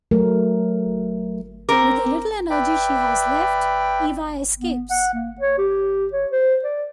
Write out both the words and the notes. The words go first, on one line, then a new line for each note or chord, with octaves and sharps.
With the little energy she has left, Eva escapes.
F#3 A3 A#4
C4 A#4 D6
B4 D5 E5 G5
B3
F#5
A#3
C#5
G4
C#5
C5
D5